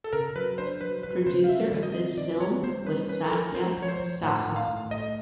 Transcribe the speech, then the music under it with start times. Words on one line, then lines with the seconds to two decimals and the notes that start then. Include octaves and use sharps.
Producer of this film was Satya Saha.
0.04 A4
0.13 C#3 A#4
0.35 F#3 B4
0.58 D4 C5
0.81 F#3 B4
1.03 F#3 B4
1.26 C#3 C5
1.44 F5
1.49 G3 E5
1.72 D#3
1.83 D#5
1.94 C4
2.17 D#3 D5
2.40 G3 C#5
2.63 G3 C5
2.86 C#4 B4
3.08 C#4 B4
3.25 A4
3.32 F3 A#4
3.54 F3 C5
3.77 F3
3.83 C#5
3.88 C5
4.00 F3
4.22 A2 F#5
4.45 A2
4.56 F5
4.68 A2
4.91 A3 D#5